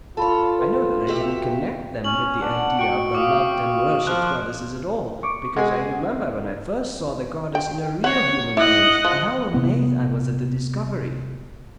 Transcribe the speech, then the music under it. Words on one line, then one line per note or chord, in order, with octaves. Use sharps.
I know that I didn't connect them with the idea of the loved and worshipped goddesses at all, because I remember when I first saw the goddess in a real human being and how amazed I was at the discovery....
F4 A4 C#5 A5 B5
B4 C6
F#4 G4 E5
C#4 F#7
D4 F#5
F#4 G5 C#6 D7
F5 D6 D#6
F3 F#6
C#6 D6
G#3 G#4 F#5
G5
C#5 F#5
E4 D#5 F#5
F3
C3 B3